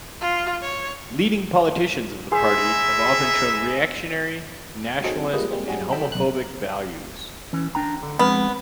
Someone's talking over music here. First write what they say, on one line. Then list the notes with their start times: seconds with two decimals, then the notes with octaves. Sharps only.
Leading politicians of the party have often shown reactionary, nationalist, and homophobic values.
0.21 F4
0.63 C#5
2.32 D#4 E4 G#4 C5 E5
5.04 F#3 C4 D#4 F#4 G#4 A4
5.33 F3 G3 G#3 A#3 B4 D#5
5.50 G3 G#3 A#3 C4
5.67 F#3 G3 D4 F#4 G#4
5.92 F#4 A4 D#5 G5 B5 E6
6.12 B1 F#6
7.53 E3 C#4
7.75 D4 G5 A#5
8.03 D3
8.19 F3 G#3 B3 C4